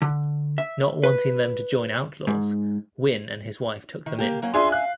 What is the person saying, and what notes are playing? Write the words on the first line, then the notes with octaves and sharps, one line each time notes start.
Not wanting them to join outlaws, Winn and his wife took them in.
D3
E5
B4
G#2
D#3
A#3 G4
F#3 A#3 C#4
C#4 D4 F4 G#4 E5 G#5 C6
F5 F#6